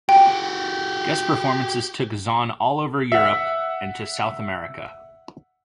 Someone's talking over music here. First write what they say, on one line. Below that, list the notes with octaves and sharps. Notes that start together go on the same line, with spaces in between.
Guest performances took Zaun all over Europe and to South America.
F#4 G4 G5
E5 F#5